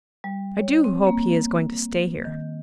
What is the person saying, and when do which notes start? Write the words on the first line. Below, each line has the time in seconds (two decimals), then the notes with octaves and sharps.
I do hope he is going to stay here.
0.24 G3
0.58 C#5
0.84 C4
1.07 A#3
2.25 D#3